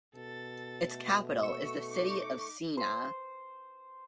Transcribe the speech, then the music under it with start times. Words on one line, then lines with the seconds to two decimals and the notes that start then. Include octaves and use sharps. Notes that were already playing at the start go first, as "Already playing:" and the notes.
Its capital is the city of Siena.
0.16 B2 A4 A6
0.85 A3
1.43 C#6 E6
1.88 D#4 D6
2.77 C5